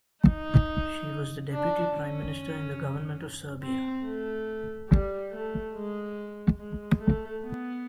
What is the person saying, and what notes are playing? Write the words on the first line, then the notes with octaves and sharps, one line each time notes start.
She was the Deputy Prime Minister in the Government of Serbia.
D#4
D4
C#4
C4
A3
G3
A3
G#3
G#3
A3
B3